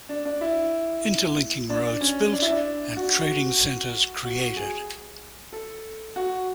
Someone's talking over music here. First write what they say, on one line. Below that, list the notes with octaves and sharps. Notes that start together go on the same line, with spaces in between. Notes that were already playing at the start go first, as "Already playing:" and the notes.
Interlinking roads built and trading centers created.
D4
D4
E4
D4
C#4
D4
E4
D4
F#4
F#4
G#4
A4
F#4